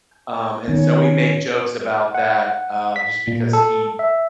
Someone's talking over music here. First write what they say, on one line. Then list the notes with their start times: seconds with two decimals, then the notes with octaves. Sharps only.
um, and so we make jokes about that, uh, just because he
0.68 D#3 B3 C#4
2.14 F#5
2.96 B6
3.28 A#2
3.53 A4
3.99 E5